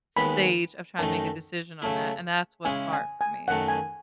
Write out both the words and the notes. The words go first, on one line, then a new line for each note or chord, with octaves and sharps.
stage of trying to make a decision on that, and that's what's hard for me.
D#2 D#3 G#3 B3 B5
F#2 D#3 A3 D#4 A5
C#3 F#3 A3 E4
C#3 G#3 C#4 E4 G#5
G#5
G#5
F#2 D#3 A3 F#5
G#5